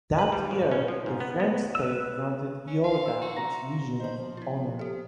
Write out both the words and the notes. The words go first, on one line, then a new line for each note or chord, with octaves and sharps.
That year, the French state granted Iorga its Legion of Honor.
B4
G3
G#1
C#4
F3
G#2
B3
B3
B4 E6
C#4
F5 C6
E5
F#4
A#5
C5 D#5 A#5
F3
E4 F4
G4 A4